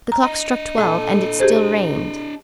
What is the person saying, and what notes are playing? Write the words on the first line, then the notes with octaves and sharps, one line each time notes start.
The clock struck twelve, and it still rained.
A#5
D4 D#5
A#2 A4
G4 G#4 C5